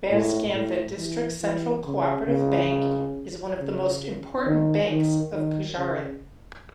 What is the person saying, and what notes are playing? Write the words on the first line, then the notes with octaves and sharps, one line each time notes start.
Banaskantha District Central Co-operative Bank is one of the most important banks of Gujarat.
A2
A2
E3
E3
C#3
C#3
C#3
D#3
D#3
D#3
C#3